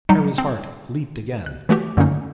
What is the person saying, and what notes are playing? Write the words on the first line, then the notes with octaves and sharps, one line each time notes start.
Harry's heart leaped again.
F#3 G3 D#4
C4
F#6
E3 A3 F#4 G4
F#2 D3 D#3 A#3 C#4 D#4